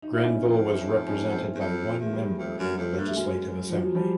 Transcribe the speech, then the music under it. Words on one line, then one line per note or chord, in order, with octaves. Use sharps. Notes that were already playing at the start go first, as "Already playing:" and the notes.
Grenville was represented by one member in the Legislative Assembly.
D#4
E4
C#4 D#4
F2 D#4 F4
C#4 D#4
C#4 D#4
A#3 C4
E2
F2
E2 A3
A#3
G3 A3
F2 G3 A3
F#2
F2
G2 A#3
A3
F#2 F#3 G#3
F3
F#3
F3 G3